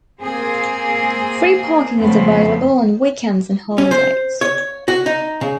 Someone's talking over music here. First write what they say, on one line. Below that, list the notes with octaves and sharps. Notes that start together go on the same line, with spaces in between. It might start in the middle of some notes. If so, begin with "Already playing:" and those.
Free parking is available on weekends and holidays.
A#3 C4 G#4
F2 C#3 F3 A3 B3 C4
C#4
C5
C#5
F#4
D#4
C#3